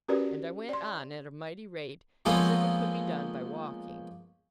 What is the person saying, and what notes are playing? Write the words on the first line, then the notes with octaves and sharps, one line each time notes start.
And I went on at a mighty rate, as if it could be done by walking.
C#4 F#4 G4 A#4 B4 D5
D5 C6
F3 G#3 A#3 B3 C#4 A4